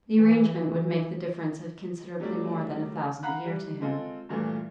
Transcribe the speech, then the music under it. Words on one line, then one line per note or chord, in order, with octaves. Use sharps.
The arrangement would make the difference of considerably more than a thousand a year to him.
E3
F#3 G3 A3 D4
F5 F#5 A#5 B5 F#6
G3
G#3 C4 F4 A4
G2 A#2 E3 A3